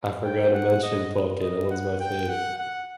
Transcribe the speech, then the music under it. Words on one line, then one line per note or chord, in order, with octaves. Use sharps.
I forgot to mention poke, that one's my favorite.
G5
F#5
D#5
D#5
F#5
G5
F#5
F#5